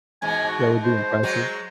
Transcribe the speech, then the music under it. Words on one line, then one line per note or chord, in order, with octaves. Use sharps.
That would be impressive.
G#2 B2 E3 G#5
F#4
C5
F#3 G#3 F#4